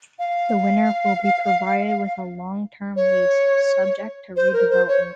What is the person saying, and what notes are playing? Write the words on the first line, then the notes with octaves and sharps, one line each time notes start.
The winner will be provided with a long-term lease, subject to redevelopment.
F5
C#5
C5
A#4
C5
C#5